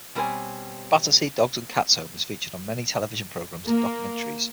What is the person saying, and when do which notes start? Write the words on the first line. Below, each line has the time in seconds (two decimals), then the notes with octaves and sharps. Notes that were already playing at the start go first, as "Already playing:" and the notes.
Battersea Dogs and Cats Home has featured on many television programmes and documentaries.
0.15 B2 G3 C4 B4 C#5 G#5
3.66 A#3